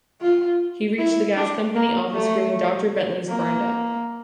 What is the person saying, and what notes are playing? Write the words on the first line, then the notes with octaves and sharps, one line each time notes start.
He reached the gas company office screaming Doctor Bentley's burned up!
F4
E4
D4
A#3
A3
A#3